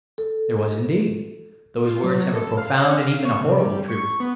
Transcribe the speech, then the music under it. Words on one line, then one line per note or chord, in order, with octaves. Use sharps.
There was indeed. Those words have a profound and even a horrible truth.
A4
F4
F#3
A4
F5
C#5
F5
C#6
C3
G3
C#6
B3